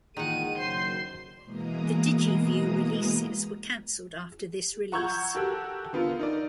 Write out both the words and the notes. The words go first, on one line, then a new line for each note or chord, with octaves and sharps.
The Digiview releases were canceled after this release.
A#2 D#3 E3 G#3 F#5 D#7
F#1 F#3 C5 C6
B2 E3 G#3 A#3 A#5 D#6
F#5 A#5 C#6 E6 G6 G#6
F#4 G4 A4 A#4 E6 F#6
D3 B3 F4 A#4
D#4 A#4 D5